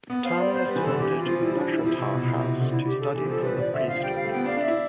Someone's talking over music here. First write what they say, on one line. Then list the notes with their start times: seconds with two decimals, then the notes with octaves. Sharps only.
Turner attended Nashotah House to study for the priesthood.
0.10 B3
0.24 C4 F5
0.39 C4 D5
0.54 B3 C5
0.65 G3 B4
0.76 E3
0.83 D3 A4
0.97 E3 G4
1.11 E3
1.19 F4
1.26 F3
1.41 G3 E4
1.55 D4
1.70 E4
1.84 F3 E4
1.98 C3
2.14 B2
2.29 C3
2.39 C3
2.61 D3
2.71 E4
2.86 G4
3.01 A4
3.15 E3 G4
3.25 F3 A4
3.37 G3
3.44 F3 B4
3.58 F3 D5
3.73 D3 E5
3.88 F3 F5
4.02 G3 G5
4.13 G3 F5
4.24 A3
4.31 B3 G5
4.45 D4 F5
4.57 D4 E5
4.68 E4